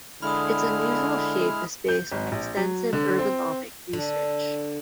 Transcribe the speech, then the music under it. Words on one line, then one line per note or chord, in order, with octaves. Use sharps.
Its unusual shape is based on extensive ergonomic research.
D3 G#3 E4 B5 D#6 F6
G6
G#1
A#1
F#3
D3
C4
D3